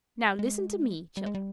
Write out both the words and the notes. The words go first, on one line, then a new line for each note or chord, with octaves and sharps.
Now listen to me, children.
G#3
G3
G#3
G3